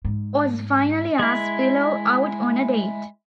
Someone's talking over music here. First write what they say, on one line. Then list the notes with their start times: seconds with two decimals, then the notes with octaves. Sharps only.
Oz finally asks Willow out on a date.
0.05 G#2
1.19 G#3 E4